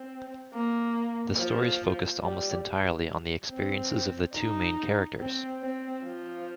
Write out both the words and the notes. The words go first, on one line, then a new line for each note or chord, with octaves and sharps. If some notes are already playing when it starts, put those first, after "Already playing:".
The stories focused almost entirely on the experiences of the two main characters.
Already playing: C4
A#3
F3
G3
C4
D#4
C4
C4
F3